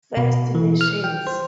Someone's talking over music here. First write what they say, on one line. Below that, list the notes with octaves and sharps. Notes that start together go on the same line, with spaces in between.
First Nations.
B2
E3
F6
G5
C5